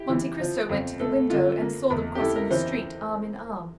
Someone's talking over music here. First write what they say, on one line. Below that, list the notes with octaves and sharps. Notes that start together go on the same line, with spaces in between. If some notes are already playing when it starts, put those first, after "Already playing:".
Monte Cristo went to the window, and saw them crossing the street, arm in arm.
Already playing: E4 G4
E3
F3
F2
A3 A4
D3 F4
A#3
E2
G4
E4 A4
A#4
E3 C5